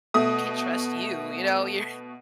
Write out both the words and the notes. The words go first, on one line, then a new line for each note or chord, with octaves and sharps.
can't trust you." you know? You're
B2 A3 D#6